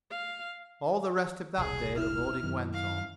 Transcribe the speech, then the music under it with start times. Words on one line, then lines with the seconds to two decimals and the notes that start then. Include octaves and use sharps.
All the rest of that day the loading went on.
0.11 F5
1.58 E1 C2 G#4
1.97 E4 F6
2.43 F#2 D#3
2.74 F5